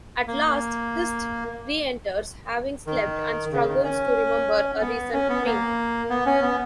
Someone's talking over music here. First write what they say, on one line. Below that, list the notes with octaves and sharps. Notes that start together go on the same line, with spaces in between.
At last, Hirst reenters, having slept, and struggles to remember a recent dream.
A#3
D#3
C#3
D#3
C#4
B3
C#4
B3
A#3
B3
C#4
B3